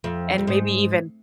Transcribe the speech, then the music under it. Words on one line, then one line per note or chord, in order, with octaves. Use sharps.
and maybe even
F2
F2
G#2